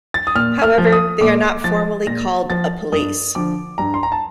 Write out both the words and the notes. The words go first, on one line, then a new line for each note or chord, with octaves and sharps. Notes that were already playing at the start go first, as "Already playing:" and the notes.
However, they are not formally called a "police".
A6
D#6
A#2 F6
F6
F3
D#6
A#2 D6
F3 A6
A#2 A#6
F3 A6
G2 D#6
D3 F3 D6
G2 A#5
C6
A#5
A5